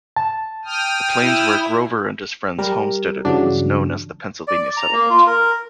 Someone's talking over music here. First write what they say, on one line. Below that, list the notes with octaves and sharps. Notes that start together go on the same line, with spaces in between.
The plains where Grover and his friends homesteaded was known as the Pennsylvania Settlement.
A5
G5 D#6 F6
E4
G3 A#4
G2 C#3 E3 F#3 D4
D5
A#5
A#3
F4
A#4